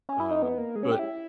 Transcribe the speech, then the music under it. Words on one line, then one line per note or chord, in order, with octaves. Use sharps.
um but
C#4
E4
D#4
B3
A#3
G#3
C#4
G4
E4